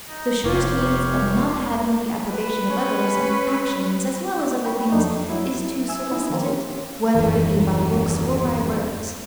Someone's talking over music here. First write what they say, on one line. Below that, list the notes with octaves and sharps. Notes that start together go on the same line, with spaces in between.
The surest means of not having the approbation of others, in actions as well as other things, is to solicit it, whether it be by looks, or by words.
D#4 D#5
F1 G4 C#5 F5
B4
C#4
G5 B5 C#6
F2 F#3 A3 D4 D#4
F#3 E4
E5 G#5 E6
B3 E4
D#3 F3 A#3 C4
D#1 F#2 E3